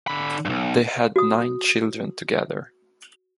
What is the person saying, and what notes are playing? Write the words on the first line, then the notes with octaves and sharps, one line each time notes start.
They had nine children together.
D3 B5
B1 G2
F#4 D#6